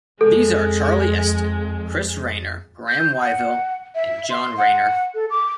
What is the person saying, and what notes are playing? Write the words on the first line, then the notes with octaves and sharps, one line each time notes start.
These are Charlie Elston, Chris Raynor, Graham Wyvill and John Raynor.
F2 G#3 A4
G6
F#5
E5
C6
F#5
A4
D6